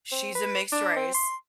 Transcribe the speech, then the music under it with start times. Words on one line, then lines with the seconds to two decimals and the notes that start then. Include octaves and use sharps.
she's a mixed race,
0.12 C4
0.35 B4
0.72 D4
0.96 C4
1.14 C6